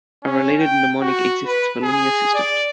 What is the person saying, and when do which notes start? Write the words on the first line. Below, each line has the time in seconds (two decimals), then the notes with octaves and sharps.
A related mnemonic exists for linear systems.
0.23 C#4
0.59 G5
1.01 F#4
1.46 B4
1.83 G#4
2.34 D5